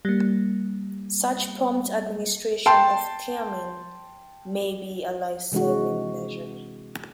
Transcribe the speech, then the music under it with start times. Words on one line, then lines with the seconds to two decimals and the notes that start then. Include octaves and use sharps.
Such prompt administration of thiamine may be a life-saving measure.
0.05 G3 A#3
2.66 G5 A5 C6
5.52 C3 E3 G#3 D4 F#4